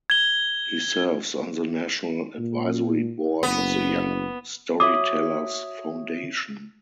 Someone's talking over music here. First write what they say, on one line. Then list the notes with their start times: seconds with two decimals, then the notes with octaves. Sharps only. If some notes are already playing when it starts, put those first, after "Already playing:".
He serves on the National Advisory Board of the Young Storytellers Foundation.
0.10 G#6 G7
2.38 A#2
3.43 F#1 B3
4.80 F#4 C#5 E5 D6 D#6